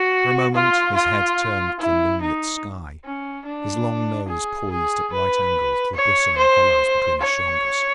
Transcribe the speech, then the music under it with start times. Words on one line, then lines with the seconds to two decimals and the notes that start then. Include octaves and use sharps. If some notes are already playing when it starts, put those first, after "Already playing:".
For a moment his head turned to the moonlit sky, his long nose poised at right angles to the bristling hollows between his shoulders.
Already playing: F#4
0.54 F4
0.95 F4
1.79 E4
2.21 D#4
3.04 C#4
3.45 D4
4.28 G#4
4.71 G#4
5.12 B4
5.95 C#5
6.38 C5
7.21 C#5